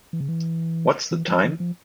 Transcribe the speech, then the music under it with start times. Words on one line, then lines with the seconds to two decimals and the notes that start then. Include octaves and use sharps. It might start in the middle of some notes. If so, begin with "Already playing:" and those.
What's the time?
0.13 E3
0.20 C#3
0.28 E3
1.11 E3
1.28 F3
1.44 E3
1.60 F3